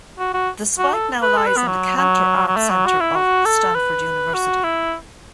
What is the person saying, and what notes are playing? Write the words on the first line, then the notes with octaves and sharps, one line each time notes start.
The spike now lies in the Cantor Arts Center at Stanford University.
F#4
F#4
F#4
A4
B4
A4
B4
B3
F#3
F#3
F#3
A3
F#3
F#4
E4
F#4
A4
B4
F#4
E4